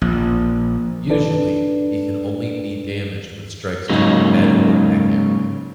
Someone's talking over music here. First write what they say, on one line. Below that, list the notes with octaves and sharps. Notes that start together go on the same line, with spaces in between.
Usually, he can only be damaged with strikes to the head or neck area.
A#1
D4 A4 B4 D5
G#2 C#3 F#3 A#3 D#4